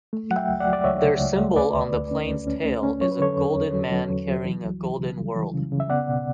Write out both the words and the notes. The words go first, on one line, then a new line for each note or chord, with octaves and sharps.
Their symbol on the plane's tail is a golden man carrying a golden world.
A3
F#3 F#5
E5 G5
C#2
D5 F#5
F#3
D5
C#2 C#5 E5
C#3
C#2
A3
D2 B4 D5
D2
D2
C#4
D2
C#4
A3
C#4
F#3 C#5
B4
D3 A4 C#5
E2
E2
F#3
F#3
E2
F#3
E3
C#2
E3
C#3
G3
E3
C#3
C#3
E5
B3 D5 F#5
B2